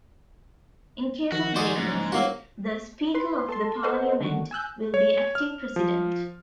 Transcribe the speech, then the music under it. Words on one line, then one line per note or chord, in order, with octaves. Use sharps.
In case of vacancy, the Speaker of the Parliament will be acting President.
D#3 F3 F#4
F#4 G#4 C5 D5 D#5
F#1 G#2
G1 F#3 A#3 F#4
B4 C6
A4 A5 C6
A4 B4 C5 D#5 F#5
D3 D#3 F#4
G#5 E6 F#6 G6
C#5
F6
F3